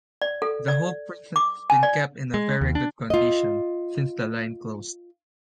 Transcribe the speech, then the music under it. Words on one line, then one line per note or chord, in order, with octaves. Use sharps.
The whole precinct has been kept in very good condition since the line closed.
D5
A4
D5
D6
G#5
D5
G#3
D#2
D4
F4 D#5